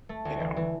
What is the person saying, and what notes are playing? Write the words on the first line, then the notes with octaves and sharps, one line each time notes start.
You know?
A3
D2
E3
E3